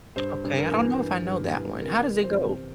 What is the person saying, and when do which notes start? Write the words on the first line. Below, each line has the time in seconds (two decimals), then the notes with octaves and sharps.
Okay, I don't know if I know that one. How does it go?
0.16 G2 C5
0.44 G2
0.58 A#4
0.71 E3
0.99 G2
1.26 G2
1.54 E3
1.82 C3 A#4
2.09 E3
2.23 C5
2.37 C3